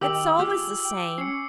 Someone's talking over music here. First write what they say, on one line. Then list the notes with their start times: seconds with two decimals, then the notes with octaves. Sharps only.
It's always the same.
0.01 D#3 G4 D#5 G5 D6 E6 F#7
0.39 F4 G4 G#4
0.85 G5
1.18 C#4 C7 C#7